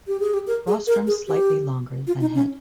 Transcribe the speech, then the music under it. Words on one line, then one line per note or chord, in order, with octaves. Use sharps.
Rostrum slightly longer than head.
G4
G#4
G4
A#4
G#4
A#4
G#4
G4
F4
D#4
C#4